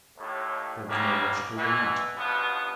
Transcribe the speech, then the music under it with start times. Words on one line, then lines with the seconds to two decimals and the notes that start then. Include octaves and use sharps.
What was more logical than that?
0.18 D#2 A2
0.88 D2 G#2 C#3 G3 A#3
1.57 E2 B2 E3
2.16 C#2 G2 B2 F3 B3